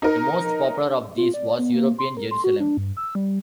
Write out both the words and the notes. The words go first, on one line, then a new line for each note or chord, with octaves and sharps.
The most popular of these was "European Jerusalem".
D#4 A#4
F4
D5
B3
A#3
C6
A#4
C6
F#4
D4
G2
E6
G3